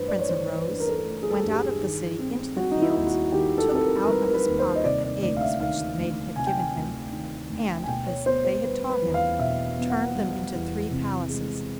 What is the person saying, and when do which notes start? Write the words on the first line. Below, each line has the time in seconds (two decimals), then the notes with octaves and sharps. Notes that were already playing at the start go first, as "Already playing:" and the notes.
The Prince arose, went out of the city into the fields, took out of his pocket the eggs which the maidens had given him, and, as they had taught him, turned them into three palaces.
Already playing: G2 E3 A3 B4 C5
0.08 D5
0.19 C#5
0.29 E3 C5
0.55 B4
0.67 D4
0.80 A#4
0.88 A4
0.95 A#4
1.05 A3
1.23 G#4
1.30 A4
1.43 G2
1.49 G4
1.56 G#4
1.81 D#3
2.19 C4
2.56 G3 F#4
2.71 D#4
2.82 E4
2.95 D#2
3.07 F#4
3.32 D#3 G4
3.58 A4
3.70 C4 A4
3.84 A#4
4.04 A#4
4.08 G3 B4
4.28 A#4
4.34 B4
4.46 D#2
4.59 C5
4.75 D#5
4.84 C3 D5
5.04 D5
5.22 D2 D5
5.37 F5
5.41 E5
5.60 D#3 F5
5.98 D2
6.36 C3 G#5
6.47 G5
6.57 G#5
6.74 D2
7.12 D#3
7.50 D2
7.84 G#5
7.87 B2 G5
8.07 C#5
8.26 B3 C5
8.45 C5
8.64 G3 B4
8.89 B4
9.02 E2
9.14 F5
9.39 B2 E5
9.78 B3
9.90 F#5
10.15 G3
10.53 E2
10.91 C3
11.29 G#3